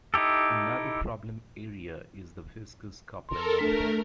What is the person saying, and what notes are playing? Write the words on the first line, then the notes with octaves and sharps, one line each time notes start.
Another problem area is the viscous coupling on the fan.
D#4 E4 G4 A4
A4 A#4 C6
A3 D4 A4 A#4 B6